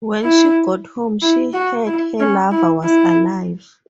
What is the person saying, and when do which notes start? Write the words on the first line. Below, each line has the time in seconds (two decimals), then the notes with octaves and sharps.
When she got home, she heard her lover was alive.
0.23 E4
1.22 E4
1.53 F#4
1.86 E4
2.20 C#4
2.51 E4
2.83 E4